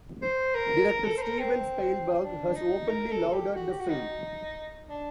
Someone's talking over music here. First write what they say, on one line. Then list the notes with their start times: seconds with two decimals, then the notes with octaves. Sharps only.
Director Steven Spielberg has openly lauded the film.
0.22 C5
0.55 A#4
0.89 A#4
1.05 A4
1.17 C5
1.22 A#4
1.39 C4
2.23 D4
2.56 D#4
2.89 A#4
3.11 A4
3.28 A4
3.33 G4
3.56 F#4
3.71 G4
3.80 F#4
3.89 D#4
4.89 D4